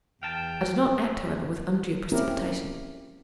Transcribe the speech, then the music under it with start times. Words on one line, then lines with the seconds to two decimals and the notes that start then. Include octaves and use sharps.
I did not act, however, with undue precipitation.
0.23 E2 F5 G5 A5
2.12 A#3 C4 C#4 E4 G4 A#4